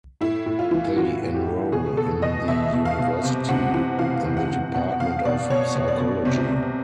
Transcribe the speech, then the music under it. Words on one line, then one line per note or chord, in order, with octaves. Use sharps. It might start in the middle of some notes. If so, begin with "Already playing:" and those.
They enroll in the University in the Department of Psychology.
A2 E4
A2
F4
E3
E3 F#4
A2
G4
A2
B2 G#4
B2 A4
B2 D#5
B2 E5
B2
F5
B2
C3
C3 F#5
E3 F#5
E3 F5
C3
F#5
C3
B2 F#5
B2 F5
B2 D5
B2 C#5
B2
D5
B2
C3
C3